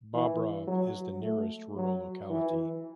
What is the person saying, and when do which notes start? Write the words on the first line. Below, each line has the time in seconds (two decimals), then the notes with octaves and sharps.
Bobrov is the nearest rural locality.
0.14 E3
0.68 F#3
1.22 A3
1.76 F#3
2.30 E3